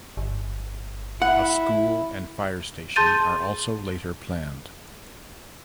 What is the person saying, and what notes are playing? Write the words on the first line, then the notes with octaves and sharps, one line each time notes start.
A school and fire station are also later planned.
G1
E4 F#5
G#4 A5 C6 G6 A6 D#7